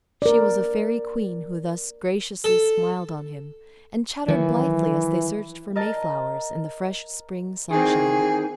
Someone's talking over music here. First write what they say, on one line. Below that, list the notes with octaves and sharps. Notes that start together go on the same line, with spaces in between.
She was a fairy queen who thus graciously smiled on him and chattered blithely as they searched for mayflowers in the fresh spring sunshine.
A#4 D5
A4
D#3 E3 F#3
A#4 D#5 A5
D#3 E3 C4 G#4